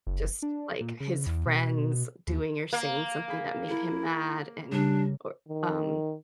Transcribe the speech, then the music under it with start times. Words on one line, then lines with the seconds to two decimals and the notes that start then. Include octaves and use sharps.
just like his friends doing or saying something that made him mad and or, um,
0.07 F#1
0.42 D4
0.81 A#2
1.00 C#3
1.26 E2
1.46 B2
2.27 D#2
2.73 A#3
3.28 G#4 B5
3.68 E4
4.72 C#3 G3 D4
5.48 D#3